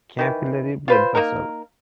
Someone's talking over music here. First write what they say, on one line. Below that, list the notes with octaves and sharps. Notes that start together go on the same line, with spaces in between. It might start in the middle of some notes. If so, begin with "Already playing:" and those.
Capillary blood vessel.
D#3 E3
F4 B4 C5
A#3 D#4 A#4